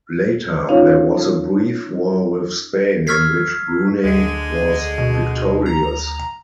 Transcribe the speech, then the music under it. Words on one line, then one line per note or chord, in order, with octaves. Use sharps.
Later, there was a brief war with Spain, in which Brunei was victorious.
C#4 D#4 F4 C#5 F5
C#6 E6 F6 G#6 B6 C7
D2 D3 G#3
B2
A#5